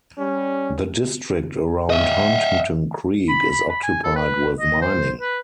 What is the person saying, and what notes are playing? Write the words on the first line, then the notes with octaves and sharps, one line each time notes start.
The district around Huntington Creek is occupied with mining.
G3 C#4
D#5 E5
B5
B5
B5
G#5
A4
B4
D#5
C5
B4